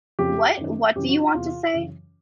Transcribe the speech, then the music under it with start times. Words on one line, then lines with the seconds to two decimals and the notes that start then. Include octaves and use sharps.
What? What do you want to say?...
0.19 F2 C#3 F3 G4
0.57 F#2 D#3
0.96 F#2 C#3 E3 G4
1.09 F#4
1.22 F4
1.34 E2 C3 E3 F4
1.73 F#2 C#3 E3